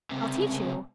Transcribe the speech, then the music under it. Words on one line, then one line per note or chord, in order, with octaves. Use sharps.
"I'll teach you."
C#2 C3